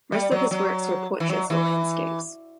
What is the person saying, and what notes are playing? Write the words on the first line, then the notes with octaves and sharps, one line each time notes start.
Most of his works were portraits or landscapes.
G3
F#3
F#3
E3
F#3
E3